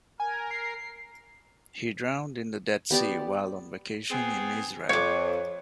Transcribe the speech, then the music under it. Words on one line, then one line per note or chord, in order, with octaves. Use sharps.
He drowned in the Dead Sea while on vacation in Israel.
A#4 G#5
C7
B3 G4 D5 G5
B3 C4 G#4
F2 C#5 D6